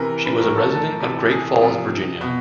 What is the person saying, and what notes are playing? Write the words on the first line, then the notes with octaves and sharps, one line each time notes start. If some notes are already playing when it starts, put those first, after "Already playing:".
She was a resident of Great Falls, Virginia.
Already playing: C3 E3 A#4
B4
A2 F3 A#4
A4
A4
C3 E3
G#4
C3 F3
B2